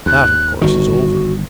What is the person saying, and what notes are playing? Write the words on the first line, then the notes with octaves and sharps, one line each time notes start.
That, of course, is over.
D#2 F#6
G1 D#3 F#4